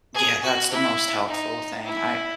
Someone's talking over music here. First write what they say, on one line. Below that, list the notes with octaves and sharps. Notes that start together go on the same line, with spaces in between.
Yeah, that's the most helpful thing. I
G#4
F#4
E4
D#4
E4